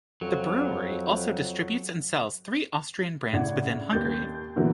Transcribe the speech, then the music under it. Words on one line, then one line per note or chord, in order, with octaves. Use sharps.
The brewery also distributes and sells three Austrian brands within Hungary.
F2 F#3
A2 C#3 D4 F#5 G#6
D#2 G6 A6
A#2 D3 E3 F#3 A#3 B3